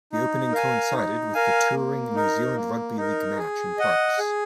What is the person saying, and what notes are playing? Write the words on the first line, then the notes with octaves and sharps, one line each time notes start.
The opening coincided with the touring New Zealand Rugby League match in Parkes.
D#4
A#4 F5 G#5
D#4
A#4 F5 G#5
A#3
D#4 A#4
A#3
D#4 A#4
G#4
D#5 F#5
G#4